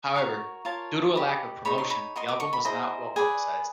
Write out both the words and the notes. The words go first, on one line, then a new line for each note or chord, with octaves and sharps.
However, due to a lack of promotion, the album was not well-publicized.
F#4 A#4 C#5
F4 A#4 C#5 A5
G4 B4 D#5
D#4 G#4 C#5 B5
C6
B5
F#4 A#4 D#5 C6
D6
C#6
B5
E4 G#4 C5 D#5 A#5
G#4 B4 D5 G#5